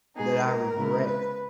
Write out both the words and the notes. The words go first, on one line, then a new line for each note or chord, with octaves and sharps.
that I regret."
B2 G#3 B3 D#4 G#4
A#4
C#3 G#3 B3 E4
B4